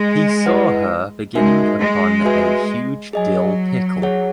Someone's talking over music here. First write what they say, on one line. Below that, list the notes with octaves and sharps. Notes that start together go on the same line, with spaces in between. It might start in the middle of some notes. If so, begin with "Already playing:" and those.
He saw her beginning upon a huge dill pickle.
Already playing: G#3
E4 B4 D#5 F#5
G#3 D#4 F#4 A#4 E5 G#5
G#3
F#4 B4 E5 G#5
F#3 G#4 D#5 G#5
G#4 C#5 F#5